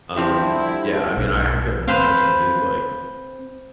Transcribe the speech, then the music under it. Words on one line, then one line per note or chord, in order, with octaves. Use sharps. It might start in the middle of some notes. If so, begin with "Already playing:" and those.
um, yeah, I mean, I I couldn't imagine, dude, like
D3 F3 G3 C4 E4 G4
B1
C4 B4 C5 F5